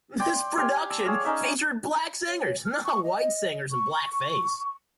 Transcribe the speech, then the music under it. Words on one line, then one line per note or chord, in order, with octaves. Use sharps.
This production featured black singers, not white singers in blackface.
D5 G5 C6
G4 F5 G#5 C6
D5 A5 E6
G#4 C#5 D5 F5
C#4 D#4 E5 D6
C#5
F6
C#6
D#5
C#6